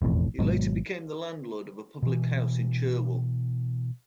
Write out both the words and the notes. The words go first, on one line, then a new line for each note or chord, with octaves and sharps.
He later became the landlord of a public house in Churwell.
E1 A1 F2 A2
G#1 G#2 B2 F#3
B2 E3